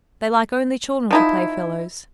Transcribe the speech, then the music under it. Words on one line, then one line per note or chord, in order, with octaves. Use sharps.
They like only children for playfellows.
F3 D#4 E4